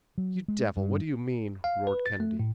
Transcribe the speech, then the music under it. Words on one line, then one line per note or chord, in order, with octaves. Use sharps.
"You devil, what do you mean?" roared Kennedy.
F#3
G#3
G2
F5
B4
A6
A3
A2